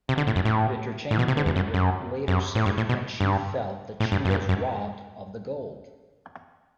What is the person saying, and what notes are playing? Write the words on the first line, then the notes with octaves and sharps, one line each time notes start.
Vitrichenko would later say that she felt that she was robbed of the gold.
C3
D3
A2
F#2
A2
A2
B2
C3
D3
E2
F#2
F#2
F#2
A2
G2
A2
B2
G2
A2
G2
F#2
G2
F#2